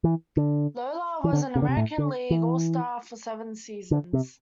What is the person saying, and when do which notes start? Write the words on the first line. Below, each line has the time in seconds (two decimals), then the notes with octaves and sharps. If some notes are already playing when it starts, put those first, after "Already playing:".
Lollar was an American League All-Star for seven seasons.
0.04 E3
0.37 D3
1.24 E3
1.33 D3
1.55 C3
1.62 D3
1.69 C3
1.77 A2
1.98 D3
2.30 E3
3.91 D3
4.13 C3